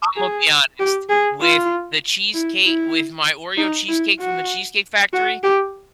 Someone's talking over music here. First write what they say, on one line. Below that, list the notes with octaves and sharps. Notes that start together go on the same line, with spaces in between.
Imma be honest, with the cheesecake with my Oreo cheesecake from The Cheesecake Factory,
G#4
G4
G#4
F4
E4
E4
D#4
E4
F#4
F#4
G4